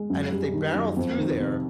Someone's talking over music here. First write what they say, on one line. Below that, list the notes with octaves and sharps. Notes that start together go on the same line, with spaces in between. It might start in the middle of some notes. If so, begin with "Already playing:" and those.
and if they barrel through there,
Already playing: G#3
F#2
G3
D#3
F#2
F2
D#3
C3